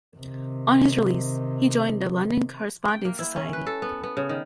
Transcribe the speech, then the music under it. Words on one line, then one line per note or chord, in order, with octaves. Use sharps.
On his release he joined the London Corresponding Society.
C3 D#3
G5
A#3
E4
C#4
B4
A4
B3
B3
C#3
D#3